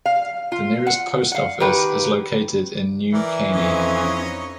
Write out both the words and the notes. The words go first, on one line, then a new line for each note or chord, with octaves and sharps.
The nearest post office is located in New Caney.
F5
F4
F#5
F5 F#5
D#3 G4 B4
E3 A#4 D5
F2 C#4 D#4 C#5 D#5